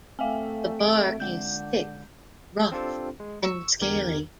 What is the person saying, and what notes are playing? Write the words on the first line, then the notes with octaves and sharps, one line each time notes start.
The bark is thick, rough, and scaly.
A3 C4 E5 F5 G5 G#5
D7
D3 G#3 G6
C4 D4 F4 G4 A4 C5
G#3
C#6 E6
E2 D3 G4 A#4 G#6